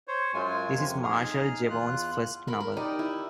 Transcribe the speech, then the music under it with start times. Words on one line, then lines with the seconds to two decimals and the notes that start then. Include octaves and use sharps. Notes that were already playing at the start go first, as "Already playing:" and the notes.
This is Marshall Jevons' first novel.
0.08 C5 C#5
0.34 F#2 F#3 G#3 F4 G#5
0.77 F2 C3
1.03 D#4 G#4 D#6 F6
1.70 E2 F4 F#6
2.47 A#4 B5
2.60 A#4
2.77 D#4 G4 D5
2.99 E4